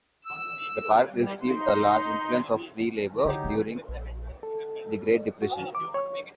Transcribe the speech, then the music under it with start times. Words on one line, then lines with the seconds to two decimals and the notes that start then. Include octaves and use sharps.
The park received a large influx of free labor during the Great Depression.
0.24 E6
1.10 G3
1.45 D#4 C6
3.25 D3 F#3 D#4 G4
3.44 A3
3.89 A#1
4.43 A4
5.42 F#4
5.75 D6
5.94 C#5